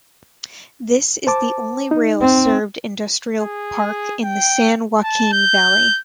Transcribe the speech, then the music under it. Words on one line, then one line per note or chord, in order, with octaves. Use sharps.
This is the only rail served industrial park in the San Joaquin Valley.
C5 A5 D6
D#4
C4
G#4
G5
A5
G6